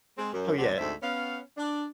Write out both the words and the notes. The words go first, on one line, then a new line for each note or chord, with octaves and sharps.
Oh, yeah.
G#3 C4
F#2
D2 B2 F#3 C4 F#4 D5
D2 G#2 D3 C4 E5
B3 C#4 F5
D4